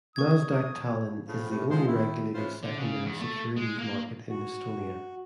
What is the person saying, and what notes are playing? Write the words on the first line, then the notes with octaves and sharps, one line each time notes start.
Nasdaq Tallinn is the only regulated secondary securities market in Estonia.
C#6 D#6 G#6
A2 F3 G#4
A2 C3
F3 G#3 C5
D#3 E4
E3 G#3 C#4 F4 B4 C5
D3
C#3
E2
A3
G#3
A#3
F#4